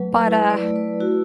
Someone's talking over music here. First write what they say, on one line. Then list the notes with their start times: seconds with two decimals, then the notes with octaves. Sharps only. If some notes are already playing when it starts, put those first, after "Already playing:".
But, uh
Already playing: F#3 A3 B4
0.25 E4 B4
0.50 D5
0.63 A3
0.76 B4
1.00 E4 F#4